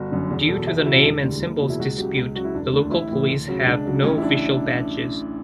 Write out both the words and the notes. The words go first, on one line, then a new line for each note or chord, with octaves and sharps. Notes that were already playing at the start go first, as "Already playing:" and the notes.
Due to the name and symbols dispute, the local police have no official badges.
Already playing: G1 F#4
F#2 D3
E2 F#4
B2 A4
F#3
E2 E5
F#4
B2 F#3 E4
C#4
E1
D2 D3 G3
F#1
E2 B2 F#3
E4
C#2 F#4
C#3 F#3 G4
C#2
C#3 F#3 F#4
E4
E1 D4
D2 D3 D4
A1 E4
A2 E3
D2
C#3 F#3
C#2 D4
C#3 F#3
A1 C#4
E4
D4